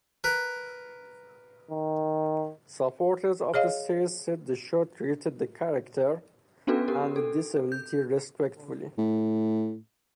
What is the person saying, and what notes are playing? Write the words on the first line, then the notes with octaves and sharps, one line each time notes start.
Supporters of the series said the show treated the character and the disability respectfully.
A#4 B4
D#3
G#4 C#5 D#5 F5
B3 C#4 D4 F#4 A4 B4
D4 G4 A#4
A4
G6
A2